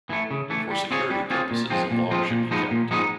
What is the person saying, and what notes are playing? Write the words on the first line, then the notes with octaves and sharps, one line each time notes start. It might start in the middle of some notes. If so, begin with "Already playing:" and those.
For security purposes, a log should be kept.
E3 A3
C#3
E3 A3
G3
C4 F4 G#4 C#5
G3
C4 F4 G#4 C#5
A#2
F3 G#3 C4 F4
A#2
F3 G#3 C4 F4
A#2
F3 G#3 B3 D#4
A#2
F3 G#3 B3 D#4